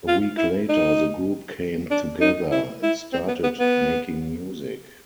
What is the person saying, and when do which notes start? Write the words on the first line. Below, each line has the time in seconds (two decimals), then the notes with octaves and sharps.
A week later, the group came together and started making music.
0.08 F4
0.38 E4
0.69 D#4
1.91 D4
2.21 D#4
2.52 E4
2.83 E4
3.13 C4
3.28 B3
3.44 B3
3.60 B3